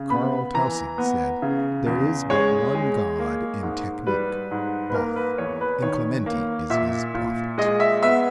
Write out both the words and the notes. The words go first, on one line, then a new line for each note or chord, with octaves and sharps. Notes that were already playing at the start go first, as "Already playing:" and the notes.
Carl Tausig said: "There is but one god in technique, Bach, and Clementi is his prophet."
Already playing: C#3
B3 B5
E3 A#5
B3
C#3
E2
G#3 C#5
G#3
A#3
G#2
G3 B4
G#2
B4
A#3 A#4
B4
E2 C#5
B4
D#3 C#5
A#3
A#2 E5
A#2
G#3 D#5
E5
B3 E5